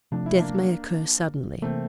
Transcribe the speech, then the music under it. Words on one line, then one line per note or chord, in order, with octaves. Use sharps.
Death may occur suddenly.
C3 F3 A3 D4
E4
A#3 D4
C3 E3 A3 A#3 C4